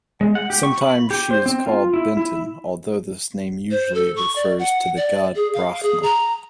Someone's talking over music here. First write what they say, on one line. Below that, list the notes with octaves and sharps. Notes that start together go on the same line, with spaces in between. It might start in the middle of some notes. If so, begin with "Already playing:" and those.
Sometimes she is called Benten although this name usually refers to the god Brahma.
G#3
F#5
G4
C#6
B5
G4
C5
C4
F4
E4
E4
C5
A4
C#6
D5
F#5
D5
G#4
F5
G#4
A#5